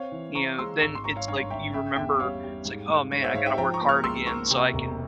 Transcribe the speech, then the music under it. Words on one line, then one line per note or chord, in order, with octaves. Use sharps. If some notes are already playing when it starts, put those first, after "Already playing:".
you know, then it's like you remember it's, like, "Oh, man. I gotta work hard again so I can
Already playing: C4 C#5 F5
E3
C4 A#5 C#6
G#3 C6 E6
G#1 A#5 C#6
C6
G#1 A#5 C#6
C#5 F5
G2 C#5 F5
G#1 E5 G5
C#4 E5 G5
E2 E5 G5
G3 C#5 F5
G3
G#2
G#2
G#2 C#5
C5 E5
G#2 C#5 F5
E5 G5
F3 G5 A#5
A#5 C#6
A#3
C#6 F6
C#2 C6 E6
A#3 A#5 C#6
C3
E1